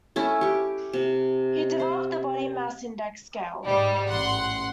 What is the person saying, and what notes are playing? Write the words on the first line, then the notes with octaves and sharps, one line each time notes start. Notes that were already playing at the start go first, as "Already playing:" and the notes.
He developed the body mass index scale.
A3 C#4 E4
G4 C#6
C3
C5
G#2 G3
A1 F#5 C6